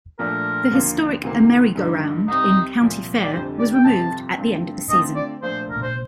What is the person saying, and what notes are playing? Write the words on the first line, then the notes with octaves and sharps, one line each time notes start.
The historic Ameri-Go-Round in County Fair was removed at the end of the season.
A#2 F3 A3 D4 A4 A#4
D#2 D3 F3 A#3 F4
D2 C3 D#3 A#3
G2 D3 F3 A#3 D#4
C2 C3 G3 C4 D#4
C2 A#2 F3
D5
F1 F2 D3 G3 C5
D5
G5
G1 F2 C3 F3 C4 A5
G2 D3 A3 C4 F4
D3 A3 C4 F4 C5 D#5
D5
A#2 F3 A3 D4 F4 C5
A#4
C5